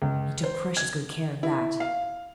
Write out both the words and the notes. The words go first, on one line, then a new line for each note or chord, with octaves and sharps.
He took precious good care of that.
C#2
C5
G#6
E4
F5